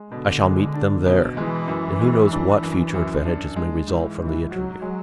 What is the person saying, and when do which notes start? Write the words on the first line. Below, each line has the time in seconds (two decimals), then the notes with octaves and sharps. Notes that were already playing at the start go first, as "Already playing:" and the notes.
I shall meet them there, and who knows what future advantages may result from the interview?
Already playing: G#3
0.12 B2 D3
0.43 G#3
0.74 D4
1.06 B2
1.37 E3 G#3
1.68 F#2
2.00 G#3
2.31 D4
2.62 F#2
2.94 F#2
3.25 D4
3.56 G#3
3.88 G#2 E3
4.19 G#2 E3
4.50 F#3 F#4
4.82 G#3